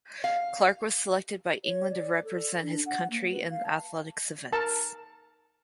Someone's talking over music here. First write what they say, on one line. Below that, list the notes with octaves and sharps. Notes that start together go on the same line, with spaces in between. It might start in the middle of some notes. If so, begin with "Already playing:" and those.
Clarke was selected by England to represent his country in Athletics events.
F5
C#5
D5
A4
D4
F#5
A#3
B4
F5
A5
A#4 A5